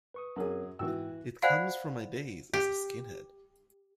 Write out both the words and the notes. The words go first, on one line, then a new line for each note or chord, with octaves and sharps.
It comes from my days as a skinhead.
B4 C#6 D#6
F#2 C4 G#4 A#4 C#5
G#2 E3 F#4 G5 E6
C5 D5 F5 F#5 G#5 B5
G4